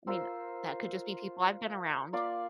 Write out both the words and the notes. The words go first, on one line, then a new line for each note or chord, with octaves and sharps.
I mean, that could just be people I've been around.
F4 A#4 C5 E6
A#3 F4 D5 F5